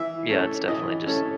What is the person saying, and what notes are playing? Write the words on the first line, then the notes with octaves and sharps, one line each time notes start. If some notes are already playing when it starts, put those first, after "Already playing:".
yeah, it's definitely just
Already playing: E3 E5
A3 C#4
E3 D#5
A3 C#4 A4